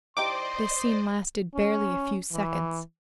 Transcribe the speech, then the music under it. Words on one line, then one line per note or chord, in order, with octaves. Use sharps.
This scene lasted barely a few seconds.
E3 D#4 G4 C5 D5 D#5 C6 D6
C#4
E3